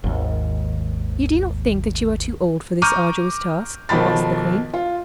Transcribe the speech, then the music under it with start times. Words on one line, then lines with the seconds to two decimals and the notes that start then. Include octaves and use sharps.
"You do not think that you are too old for this arduous task?" asked the Queen.
0.04 G#1 D#2
2.82 A#5 C#6 D6 F6 G6 D#7
3.89 B1 D#3 F3 B5 A6
4.74 F4